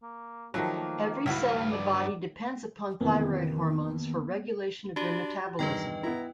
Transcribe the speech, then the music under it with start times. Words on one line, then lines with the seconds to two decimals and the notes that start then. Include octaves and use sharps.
Every cell in the body depends upon thyroid hormones for regulation of their metabolism.
0.02 A#3
0.54 D#3 F3 F#3 A3 G4
0.80 A#3
1.26 C#2 G2 B3 E4 F#4 F5
1.71 D5
3.01 F2 C3 D#3 E3 A#3 B3
4.96 D4 F#4 G4
5.59 E2 G2 D#3 B4 D#5 G5 A#5
6.03 B3 E4 A#5